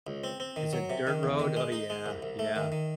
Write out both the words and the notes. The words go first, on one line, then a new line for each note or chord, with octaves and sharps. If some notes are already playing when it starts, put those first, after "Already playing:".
Is it dirt road? Oh, yeah, yeah.
C#2
C4
C4
D#3
F#3
C3
D#3
E2
D#3
G#3
D#4
G#3
C2
C2
A3
D#3
D#3